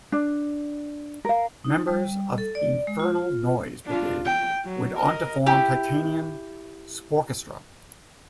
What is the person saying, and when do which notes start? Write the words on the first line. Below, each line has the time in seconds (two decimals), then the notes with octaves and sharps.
Members of Infernal Noise Brigade went on to form Titanium Sporkestra.
0.12 D4
1.25 A#4 F5
1.65 D#4
1.87 G3
2.38 A4
2.55 D5
2.87 G#3
3.00 F4
3.86 D4 F4
4.25 G5
4.65 F#3
4.98 A#4 D#5
5.46 E4 G4